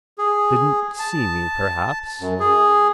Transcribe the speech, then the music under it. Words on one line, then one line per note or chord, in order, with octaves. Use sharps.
Didn't see me perhaps.
G#4
A5
F#2
G#4